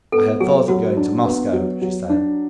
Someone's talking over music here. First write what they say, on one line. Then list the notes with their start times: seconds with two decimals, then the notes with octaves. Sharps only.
"I had thought of going to Moscow," she said.
0.12 B3 A4
0.40 F#3 G#4
0.68 F#3 F#4
0.97 D4
1.25 B3
1.53 F#3
1.82 F#3
2.09 D4